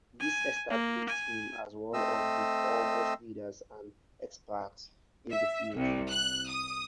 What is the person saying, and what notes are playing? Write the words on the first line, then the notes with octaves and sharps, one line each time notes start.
This established him as one of the foremost leaders and experts in the field.
G#5
A#3
G#5
A3 C4 D#5 E6
E5
C2
F#6
D#6